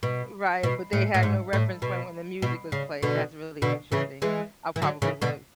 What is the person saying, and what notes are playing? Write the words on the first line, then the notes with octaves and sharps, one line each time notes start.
Eh right, but they had no reference point when the music was played. That's really interesting. I probably would've
B2
B2
A2
A2
G#2
A2
B2
B2
C#3
B2 D3
B2 D3
C#3 E3
E3 G#3
E3
D3 F#3
C#3 E3
B2 D3